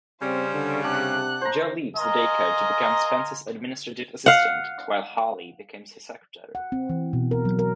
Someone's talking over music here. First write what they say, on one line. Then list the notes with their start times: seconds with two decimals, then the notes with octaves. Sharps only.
Joe leaves the daycare to become Spence's administrative assistant while Holly becomes his secretary.
0.22 C#3 G3 C4 C5
0.53 D3
0.84 C3 D4 F#5 F#6
1.42 C5 A#5
1.97 A#4 D#5 F5 G#5 A#5 C6
4.26 F5 F#5
6.55 F#5
6.72 C4
6.90 E3
7.13 B2
7.31 A#4
7.45 F#3
7.59 A#4